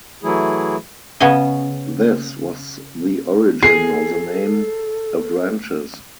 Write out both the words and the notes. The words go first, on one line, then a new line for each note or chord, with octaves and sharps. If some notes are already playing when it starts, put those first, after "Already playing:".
This was the origin of the name "Avranches".
E3 F#3 A3 E4 G#4
C#3 B3 C#4 G#4 D#5
G#4 A4 C7